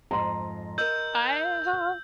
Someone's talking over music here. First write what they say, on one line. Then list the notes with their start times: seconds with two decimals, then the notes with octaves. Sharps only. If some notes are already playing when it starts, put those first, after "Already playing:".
I ha
0.11 F2 G#2 A#5 C6
0.78 A#4 D#5 E6 G6